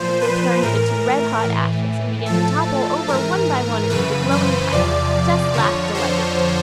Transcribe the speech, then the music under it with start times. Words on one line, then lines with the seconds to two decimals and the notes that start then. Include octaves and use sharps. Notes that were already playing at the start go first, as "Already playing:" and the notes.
As they turned into red-hot ashes and began to topple over one by one into the glowing pile, Jess laughed delightedly.
Already playing: A#2 F3 C5
0.21 B4
0.63 A2 E3 A#4
1.44 A2 E3
2.26 A2 F3 A4
3.08 G#2 E3 A#4
3.90 F#2 C#3 E3 B4
4.31 C5
4.72 E2 C3 F3 D5
5.54 F2 D3 F3 C#5
5.95 C5